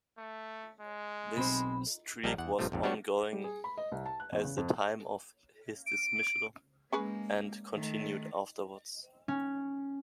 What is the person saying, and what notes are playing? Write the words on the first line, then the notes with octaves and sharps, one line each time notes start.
This streak was ongoing at the time of his dismissal and continued afterwards.
A3
G#3
B1 C4 C5 B5
A#1 G3 G#3 A#3 A5 A#5
E2 F#5
A1 G2 C3 F3 A3
A#1 F2 G#2
G3 B3 D4 F#4 C#5
G3
G#4
B5
D#5
C2
A5
F#6
E2
C#3
F2
D7
G#3 A#3 C#4 G#4 B4
D#3 A3
C#4